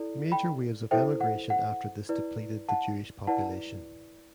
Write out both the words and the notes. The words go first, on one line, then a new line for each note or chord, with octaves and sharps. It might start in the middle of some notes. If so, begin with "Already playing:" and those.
Major waves of emigration after this depleted the Jewish population.
Already playing: E4 A4 D5
G5 B5
E4 A4 C5 E5 G5
F#5
F#5
E4 B4 D5
F#5 A5
E4 B4 D5 F#5 A5